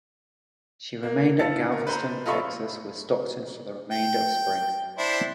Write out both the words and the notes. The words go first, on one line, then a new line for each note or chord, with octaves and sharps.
She remained at Galveston, Texas, with Stockton for the remainder of spring.
A#3
E4 F5 A5 A6 C#7
A#4
B4 C5 A#5
F4 A4 D#5 E5 B5 C#6
G5
D4 E4 C5